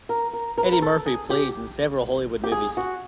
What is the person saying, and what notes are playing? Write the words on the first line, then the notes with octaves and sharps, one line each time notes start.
Eddy Murphy plays in several Hollywood movies.
A#4
A#4
A#4
B4
A#4
A4
G#4
G4
G4
G#4
F#4